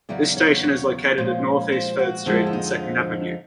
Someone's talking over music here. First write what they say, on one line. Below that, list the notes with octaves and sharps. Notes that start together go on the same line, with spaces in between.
This station is located at Northeast Third Street and Second Avenue.
E2 C#3 F#3 D5
C#5
C#5
A#2 F3 G#3
C5
F#4
F2 D3 F3 G#3 E4
E4
D#4